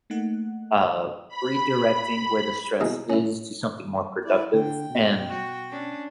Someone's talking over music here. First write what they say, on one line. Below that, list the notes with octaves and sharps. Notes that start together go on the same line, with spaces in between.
uh, redirecting where the stress is to something more productive. And,
A3 A#3 D#4 F#5
B5
D#2 B2 G#3 D#4 E4
C#4 E4
E4 D5
D3 G5
B2
F#4
C#4 D4